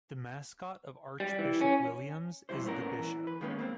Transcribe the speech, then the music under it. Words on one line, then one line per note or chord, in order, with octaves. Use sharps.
The mascot of Archbishop Williams is The Bishop.
G3
E3
C#4
F2 G3 E4 C5
A#2 A3 B3 C#4 G4 A#4
E3
B4
D#3 G#3 A#3 B3 C#4
A#3 C4